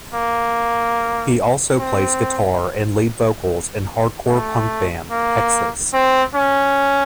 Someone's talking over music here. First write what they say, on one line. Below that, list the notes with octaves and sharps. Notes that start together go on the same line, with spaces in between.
He also plays guitar and lead vocals in hardcore punk band, Hexes.
A#3
C4
A3
A#3
C4
C#4